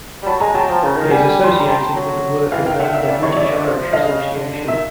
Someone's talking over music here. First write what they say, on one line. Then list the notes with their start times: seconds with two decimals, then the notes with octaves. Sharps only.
He is associated with the work of the "The British-Irish Association".
0.23 G3
0.26 F#3 A5 B5
0.40 G#3 G#5 A#5
0.54 F#3 G5 A5
0.69 F3
0.83 C#3
0.97 D#3
1.11 G3 F#5 G#5
1.25 G3
1.44 C6
1.52 B5
1.60 A#5
1.67 G5 A5
1.95 F#3
2.52 E3 F5 G5
2.65 D#3 F5 G5
2.80 D3 E5 F#5
2.94 D#3 D5 E5
3.08 C#3 D5 E5
3.22 C3 C#5 D#5
3.37 C#3 D5 E5
3.51 D3
3.64 F3
3.78 F3
3.93 D3 D#5 F5
4.06 C#3
4.20 C#3
4.35 D3
4.48 D3
4.63 D#3 E5